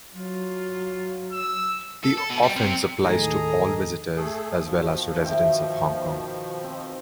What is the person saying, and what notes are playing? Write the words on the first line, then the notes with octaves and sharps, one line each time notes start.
The offence applies to all visitors as well as to residents of Hong Kong.
F#3 F4
E6
A4
A4
B2
G3
C3
D#2 A2 D#3 G#4 A4 D#5 A#5
A3 G#4 A4
B2 D#3 F3
E5 G5
C4